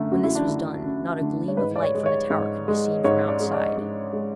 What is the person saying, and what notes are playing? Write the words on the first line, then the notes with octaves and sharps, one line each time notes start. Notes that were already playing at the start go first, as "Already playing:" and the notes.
When this was done not a gleam of light from the tower could be seen from outside.
Already playing: F#2 D3 A3
F#2 F#4
E4
D4
D3 A3 E4
F#2
D3 A3
C#5
G#2 B4
D5
C#5
G#3
C#5
G#2
G#3
G#2 C#5
D5
G#3
D5
G#2
G#3